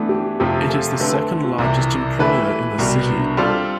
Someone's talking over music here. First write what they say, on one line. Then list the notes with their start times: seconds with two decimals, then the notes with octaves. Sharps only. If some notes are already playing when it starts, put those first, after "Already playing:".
It is the second-largest employer in the city.
Already playing: E3 A3 B3 D4
0.09 G4
0.40 F2 C3 F3 A3 C4 G4
0.69 A4
0.99 D3 A3 C4 B4
1.14 A4
1.44 F4
1.58 C2 C3 E3
2.19 E3 A3 E4 G4 B4 E5
2.49 A4
2.78 C2 B2 G3
2.98 B3
3.18 D4
3.37 G3 C4 D4 F4 A4